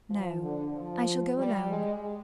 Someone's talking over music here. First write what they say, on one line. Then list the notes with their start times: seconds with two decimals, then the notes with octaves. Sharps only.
"No; I shall go alone."
0.10 F3
0.42 D3
0.73 F3
1.38 G3
1.69 G#3